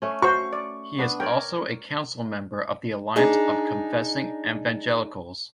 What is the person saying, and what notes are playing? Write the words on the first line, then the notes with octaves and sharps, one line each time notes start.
He is also a Council member of the Alliance of Confessing Evangelicals.
A3 C#4
F#4 C5 C#6
D5
B3 D4
A#4 C#5 D5 G5
D4 D#4 G#4